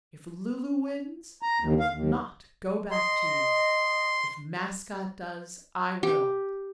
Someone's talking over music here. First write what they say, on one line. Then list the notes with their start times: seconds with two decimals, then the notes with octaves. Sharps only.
If 'Lu-Lu' wins I will not go back to you, if 'Mascot' does I will.
1.42 A#5
1.61 D#2
1.80 F5
1.92 D#2
2.91 D#5 C6
6.03 G4